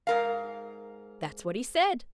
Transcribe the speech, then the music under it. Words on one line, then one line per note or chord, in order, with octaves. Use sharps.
That's what he said.
G#2 A#4 F5